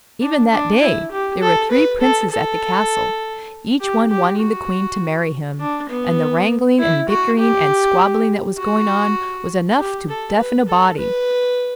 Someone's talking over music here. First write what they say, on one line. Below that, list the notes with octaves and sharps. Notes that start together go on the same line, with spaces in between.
Even that day there were three princes at the castle, each one wanting the queen to marry him; and the wrangling and bickering and squabbling that was going on was enough to deafen a body.
D4
D4
E4
G4
A4
B4
A4
A4
G4
G4
F#4
D4
B3
E4
F#4
G4
F#4
G4
A4
B4
A4
B4